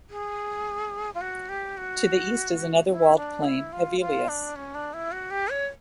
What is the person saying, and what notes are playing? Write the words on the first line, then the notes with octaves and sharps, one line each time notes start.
To the east is another walled plain, Hevelius.
G#4
F4
F#4
G4
F#4
E4
D4
E4
F4
F4
D4
C#4
D4
E4
F#4
G4
C#5